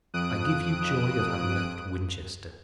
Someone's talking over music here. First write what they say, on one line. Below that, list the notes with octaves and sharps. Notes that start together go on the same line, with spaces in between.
I give you joy of having left Winchester.
F2 D#6 F#6 D7